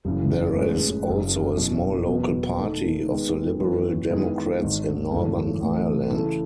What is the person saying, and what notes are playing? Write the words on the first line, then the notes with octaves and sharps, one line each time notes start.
There is also a small local party of the Liberal Democrats in Northern Ireland.
F#1 F#2 C#3 E3
A2 G#3 C#4 G#4 B4
F#1 F#2 C#3 F#3
B2 F#3 C#4 E4
E2 B2 F#3 B3
D#3 A3 D#4
D#3 G#3 B3
F#2 E3 B3 F#4
D#3 G#3 B3 E4 G#4
G#1 G#2 D#3
G#1 F#2 C#3 E3 A3
A1 A2 E3 A3
C#3 E3 A3 E4 A4